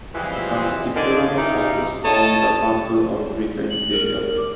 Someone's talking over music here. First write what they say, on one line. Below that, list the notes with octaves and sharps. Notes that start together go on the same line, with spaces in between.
A particular focus is the Battle of Britain period.
E3 F3 G3 G#3 C4 E4
D3 D#3 C5 D5 G#5
D#4 E4 G4 G#4 F5
A3 C#5 D#5 A5
F#7
A#4
D6